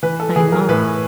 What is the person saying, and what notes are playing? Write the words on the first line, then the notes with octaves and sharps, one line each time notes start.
I know.
E3 B4
A4
E3 G#4
A#4
A2 B4